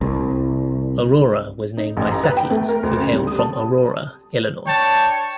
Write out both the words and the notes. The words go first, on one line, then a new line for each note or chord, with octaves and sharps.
Aurora was named by settlers who hailed from Aurora, Illinois.
C2
D#4
A1
A#5
B4
G5
A3
A#4
D2
C#3
G3
D#6
A5
D4 C#5 G5 A5